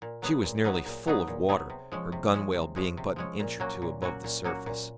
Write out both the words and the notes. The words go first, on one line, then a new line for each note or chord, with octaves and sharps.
She was nearly full of water, her gunwale being but an inch or two above the surface.
A#2
F#3 B3 D#4 G#4
A#2
F#3 B3 D#4 G#4
A#2
F#3 B3 D#4 G#4
A#2
F#3 B3 D#4 G#4
C3
F3 G#3 C#4
C3
F3 G#3 C#4
C3
F3 G#3 C#4
C3
F3 G#3 C#4
A#2
F#3 A#3 C#4 F#4
A#2
F#3 A#3 C#4 F#4
A#2
F#3 A#3 C#4 F#4
A#2